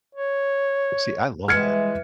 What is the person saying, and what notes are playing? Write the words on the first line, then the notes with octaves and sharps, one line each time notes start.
See, I love that.
C#5
E3 G3 G#3 F6 G#6 C#7